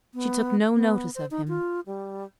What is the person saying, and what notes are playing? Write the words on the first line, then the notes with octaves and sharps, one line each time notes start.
She took no notice of him.
B3
B3
C5
D#4
F4
G3